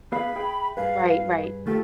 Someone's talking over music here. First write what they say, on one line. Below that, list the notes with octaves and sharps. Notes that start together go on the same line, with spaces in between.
Right, right.
B3 G#4 F5 B5
G#4 E5 G5
G2 G#4 B4 F5
A3 F4 G4 A4